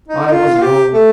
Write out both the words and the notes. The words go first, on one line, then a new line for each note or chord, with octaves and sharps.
I was wrong.
D#4
D#4
F4
F4
G4
A3